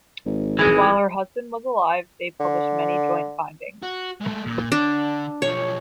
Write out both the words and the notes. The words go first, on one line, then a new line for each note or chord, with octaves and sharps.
While her husband was alive, they published many joint findings.
G#1
E3 G#3 G#4
D3
F#4
G#3 A3
A#2
D3 D4
B1 F3 C#5